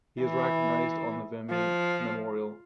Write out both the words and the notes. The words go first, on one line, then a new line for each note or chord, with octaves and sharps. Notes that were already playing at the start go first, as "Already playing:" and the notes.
He is recognized on the Vimy Memorial.
E3
F3